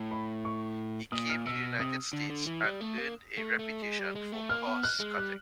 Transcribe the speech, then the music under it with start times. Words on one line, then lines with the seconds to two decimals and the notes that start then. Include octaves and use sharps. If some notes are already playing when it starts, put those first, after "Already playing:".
He came to the United States and earned a reputation for cost cutting.
Already playing: A2
0.11 B5
0.45 C#6
1.12 A#2 D#6
1.29 F6
1.45 B2 E6
1.80 C3 D#6
2.13 D3
2.30 D3
2.47 E3
2.64 G3
2.81 A3
2.98 A#3
3.38 A3
3.59 A3
3.82 G#3
3.99 G3
4.15 G#3
4.32 A3
4.49 A#3 F6
4.66 B3
4.83 F#6
5.00 G#3
5.18 G3 F#6